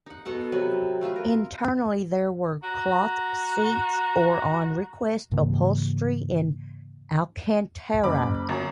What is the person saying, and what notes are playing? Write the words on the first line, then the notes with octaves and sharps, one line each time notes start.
Internally there were cloth seats or, on request, upholstery in Alcantara.
D#4 F#5
B2 A4 F#5 C#6
C3 F#3 B4
A3 F4 B4 E5
A#4
F#4 A#5
G#2 C#3 E3 A#3
F#1 B5 D6
G1 F#2 G#5 A#5